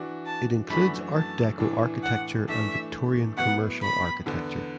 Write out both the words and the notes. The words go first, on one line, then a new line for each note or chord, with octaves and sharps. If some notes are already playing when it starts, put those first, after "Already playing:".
It includes Art Deco architecture and Victorian commercial architecture.
Already playing: E3 D4 F#4
A5
F#2 E3 A3 D4 F#4 B5
A5
A2 E3 D4
F#5
E3 A3 D4 E5
A2 F#3 B3 E4 F#5
B5
E2 D3 B3